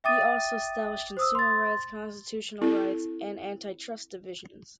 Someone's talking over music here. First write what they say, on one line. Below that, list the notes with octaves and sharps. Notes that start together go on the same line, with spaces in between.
He also established Consumer Rights, Constitutional Rights, and Antitrust divisions.
E5 G5 D6 D#6 A6 D#7
C5 D#6 E6
C6 A6
C4 E4 A4